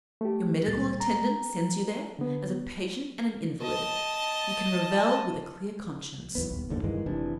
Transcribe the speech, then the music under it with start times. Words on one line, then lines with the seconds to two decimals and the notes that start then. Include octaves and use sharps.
Your medical attendant sends you there; as a patient and an invalid, you can revel with a clear conscience.
0.21 A3 G4
0.66 C#2 A#2 G3 A6
1.00 A#5
2.19 D3 B3
3.62 D#5 A5
6.35 B1 E2 B3
6.52 D#1
6.69 F#1 D#2 G#2 D3
6.84 G2 D#3 E3 G#3
7.06 F1 C3 E3 D4